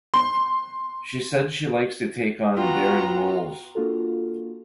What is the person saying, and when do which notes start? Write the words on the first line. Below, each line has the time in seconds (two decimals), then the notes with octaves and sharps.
She said she likes to take on daring roles.
0.14 C6
2.57 B3 F4 F#4 G5 A#5
3.75 A#3 D4 F4 F#4 A4